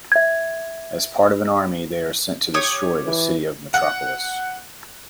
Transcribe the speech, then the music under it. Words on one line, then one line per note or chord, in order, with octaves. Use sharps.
As part of an army, they are sent to destroy the city of Metropolis.
E5 G#6
G4 C#5 D#6
E3
F#5